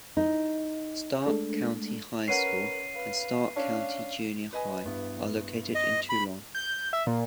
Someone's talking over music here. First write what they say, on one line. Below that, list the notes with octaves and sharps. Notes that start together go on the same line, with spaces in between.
Stark County High School and Stark County Junior High are located in Toulon.
D#4
G#3 A3 D4 A4
C#4 A#4 B4 F#5 C7 D#7
B4 F5
C#4 D4 F5
B4 D#5 G#5
G2 B3 E4
D#5
B5
G6
E5
A#2